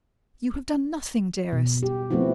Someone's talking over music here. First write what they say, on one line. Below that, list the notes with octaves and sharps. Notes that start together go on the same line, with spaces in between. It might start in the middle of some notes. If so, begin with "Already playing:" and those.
"You have done nothing, dearest."
B2
G4
F3 A3 B3 C4 E4 F#4